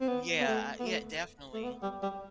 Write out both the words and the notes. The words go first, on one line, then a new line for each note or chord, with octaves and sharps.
Yeah, uh, yeah, definitely.
C4
B3
B3
A3
B3
A3
A3
B3
G3
G3